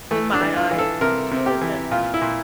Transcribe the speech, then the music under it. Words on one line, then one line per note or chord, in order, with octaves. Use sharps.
in my eyes, sh she was just, like,
E3 A3
D4
E3
F4
E3
A4
C3 A#4
C3
G4
E3
A#2 F4
E4
A#2